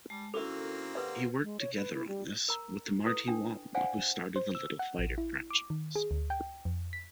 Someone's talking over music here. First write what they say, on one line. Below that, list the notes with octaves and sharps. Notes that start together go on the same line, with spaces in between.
He worked together on this with Marti Wong who started the Little Fighter franchise.
G3 G#3 A5
D#3 A#3 C4 C#4 E4 F#4 A4 A#4
G4 B4 D5 F#5
G#3
C#5
B4
E4
G3
A#4 A#5
E4 A4 B4 D#6
D4 G5
C5 D5 F5 F#5 G#5
C5
E6
F#5
A1
E4
D6
D#3
G#4
D2
G5
F2
B6